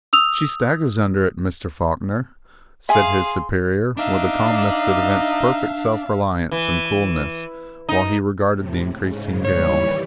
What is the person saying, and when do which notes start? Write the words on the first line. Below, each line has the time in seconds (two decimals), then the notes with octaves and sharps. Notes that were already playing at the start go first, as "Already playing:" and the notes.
"She staggers under it, Mr. Faulkner," said his superior, with a calmness that evinced perfect self-reliance and coolness, while he regarded the increasing gale.
0.13 D#6 E6 F7
2.89 G#4 E5 F5 G#5 C6
3.97 D4 D#4 E5 F5
6.51 E3
7.89 D#4
8.51 A2 C3
8.92 G#2 C#3
9.45 D#2 E3 G3 C#5